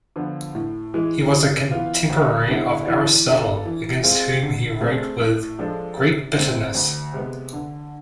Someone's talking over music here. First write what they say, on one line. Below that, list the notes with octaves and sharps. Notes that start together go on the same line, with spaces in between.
He was a contemporary of Aristotle, against whom he wrote with great bitterness.
D3 F3 B3
A2
E3 G#3
C3
E3 B3 F4
D2
D3 G#3 B3 E4
E3
B3 D4 F4 A4
E3
G#3 C4 F4 G#4
D3
A3 C4 G#4
A2
F3 G#3 D4 A4
C3
G#3 C4
D2
C3 G#3 B3
D3